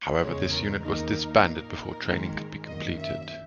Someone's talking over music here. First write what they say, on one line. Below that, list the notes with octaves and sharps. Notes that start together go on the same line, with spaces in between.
However, this unit was disbanded before training could be completed.
E2 C#3 G#3 C#5
A#4
D#2 D#3 A#3 D#4 A#4
A#2 A#3 D#4 A#4
G#2 D#3 G#3
F#2 D#3 A#3 D#5
E5